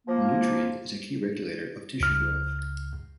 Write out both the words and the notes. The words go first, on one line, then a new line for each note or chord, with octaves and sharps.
Nutrient is a key regulator of tissue growth.
F3 A#3
C#2 F6